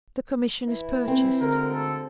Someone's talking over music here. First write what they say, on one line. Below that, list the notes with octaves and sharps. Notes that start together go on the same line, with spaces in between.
The commission is purchased.
E3 E4
C4
D2 G#2 D3 A#4
A4